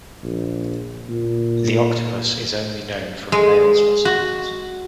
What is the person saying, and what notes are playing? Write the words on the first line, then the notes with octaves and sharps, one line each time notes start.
The octopus is only known from male specimens.
A#1
A#2
G#3
F#4